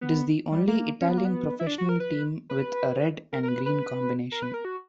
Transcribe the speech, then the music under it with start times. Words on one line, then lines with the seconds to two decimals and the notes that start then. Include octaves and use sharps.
It is the only Italian professional team with a red and green combination.
0.01 B3
0.52 G3
0.68 A#3
1.01 C#4
1.09 B3
1.18 A#3
1.25 B3
1.60 E4
1.67 D4
1.78 F#4
1.89 A#4
2.00 B4
2.50 B4
3.33 A#4
3.43 A#4
3.48 B4
3.66 B4
4.32 A#4
4.43 B4
4.54 A#4
4.65 F#4